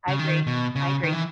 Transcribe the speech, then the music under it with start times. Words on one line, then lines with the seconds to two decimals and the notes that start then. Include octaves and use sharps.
I agree, I agree.
0.08 C#3
0.19 D#3
0.47 B2
0.76 C#3
1.03 D#3
1.13 E3